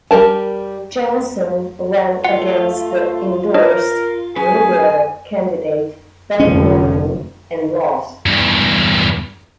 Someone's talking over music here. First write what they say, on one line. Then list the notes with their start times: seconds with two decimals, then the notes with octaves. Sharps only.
Jensen ran against the endorsed Liberal candidate Ben Morton and lost.
0.11 G3 G4 A#4 A5
2.25 A3 F4 F#5
3.54 D4 A#4 C#5 D#5
4.36 F#3 C#4 G#4 B4 G#5
6.40 F1 D3 F3 C#4
8.26 E2 G2